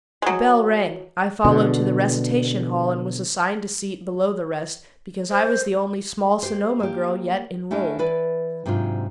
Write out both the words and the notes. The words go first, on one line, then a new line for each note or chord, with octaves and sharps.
The bell rang, I followed to the recitation hall, and was assigned a seat below the rest, because I was the only small Sonoma girl yet enrolled.
F#3 G#3
B2 D3
C5
G4 C5
A#3 G4
A3 C#4 D4 E4 A#4 D#5
E3 B4 D5
G#2 C3 F#3 D4 F4